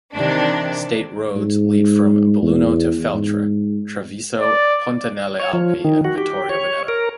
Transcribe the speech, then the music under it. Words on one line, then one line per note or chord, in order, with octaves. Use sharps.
State roads lead from Belluno to Feltre, Treviso, Ponte nelle Alpi and Vittorio Veneto.
C3 D#3 E3 D4
G#2
E2
G#2
D5
C#5
F3
D#3
F#4
G4
C#5
A#4